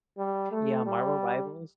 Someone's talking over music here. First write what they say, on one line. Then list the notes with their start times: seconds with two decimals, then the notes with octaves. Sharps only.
Yeah, Marvel Rivals
0.18 G3
0.51 A3
0.86 G3